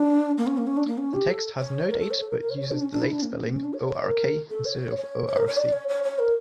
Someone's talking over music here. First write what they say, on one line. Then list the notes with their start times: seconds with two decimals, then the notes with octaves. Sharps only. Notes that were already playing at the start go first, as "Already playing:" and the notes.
The text has no date, but uses the late spelling "Ork" instead of "Orc".
Already playing: D4
0.38 A#3
0.47 C#4
0.57 A#3
0.67 C#4
0.77 D4
0.87 A#3
0.98 C#4
1.14 G4
1.29 A4
1.59 C#5
1.90 A#4
1.99 A4
2.11 C#5
2.21 A4
2.30 A#4
2.41 A#4
2.50 C#5
2.61 C#5
2.72 D4
2.82 C#4
2.92 D4
3.02 E4
3.12 D4
3.23 A#3
3.32 C#4
3.43 A#3
3.53 C#4
3.64 D4
3.74 C#5
3.89 C#5
4.04 A#4
4.50 A4
4.65 C#5
4.96 C#5
5.27 C#5
5.37 A#4
5.47 C#5
5.57 D5
5.73 C#5
5.88 C#5
6.03 C#5
6.19 A#4